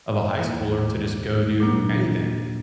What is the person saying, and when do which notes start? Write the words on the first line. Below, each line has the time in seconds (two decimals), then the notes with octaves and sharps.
of a high schooler to just go do anything,
0.41 D#2 D#3 A#3
1.60 A#2 F#3 A#3 D4